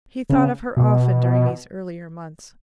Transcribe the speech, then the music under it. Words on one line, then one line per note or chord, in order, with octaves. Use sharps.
He thought of her often during these earlier months.
C#3
B2